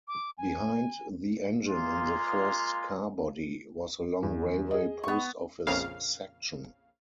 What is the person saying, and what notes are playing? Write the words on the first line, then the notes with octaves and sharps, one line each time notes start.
Behind the engine in the first carbody was a long railway post office section.
D6
G#5
G#3 A#3 F4
E2
G#4 D#5
B3 C#6
A#1 F2 C#3 F5